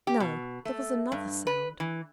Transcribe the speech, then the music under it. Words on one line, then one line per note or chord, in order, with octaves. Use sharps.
No; there was another sound.
G4
B2
A3
G2
B4
E3